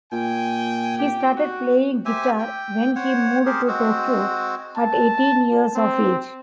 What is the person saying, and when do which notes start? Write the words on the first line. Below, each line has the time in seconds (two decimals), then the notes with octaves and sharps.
He started playing guitar when he moved to Tokyo at eighteen years of age.
0.12 A#2 G5 G#5
0.99 G4 G5
1.35 F#4
2.05 G4 C5 E5 G#5
2.39 G5
2.96 C5 C#5 F#5
3.46 G4 G#4 A#4 C5
3.68 G#3 C4 F#4
4.76 A5
5.75 C4